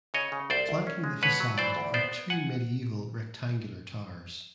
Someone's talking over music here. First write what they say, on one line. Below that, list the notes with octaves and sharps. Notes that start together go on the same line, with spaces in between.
Flanking the facade are two medieval rectangular towers.
C#3 C#5 D#5
C#3
C2 C5 D5
C2
C#4
G#3
B2 B4 C#5
F#3
E3 C5 D5
D2
B3 C5 D5
B3
F#5 G#5